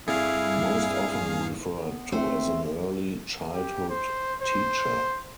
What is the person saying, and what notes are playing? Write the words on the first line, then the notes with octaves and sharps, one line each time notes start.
Most often referred to as an early childhood teacher.
G2 G3 C4 E4 G#4 A4 F5
B3
A3 C4 C5
G4
C5
C5